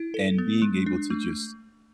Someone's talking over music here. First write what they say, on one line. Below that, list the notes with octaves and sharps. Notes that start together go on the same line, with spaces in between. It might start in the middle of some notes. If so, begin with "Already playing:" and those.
And being able to just
Already playing: E4
A4
B3
G#3
D4
A3